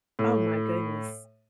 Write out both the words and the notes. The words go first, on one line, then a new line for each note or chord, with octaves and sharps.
Oh my goodness,
A2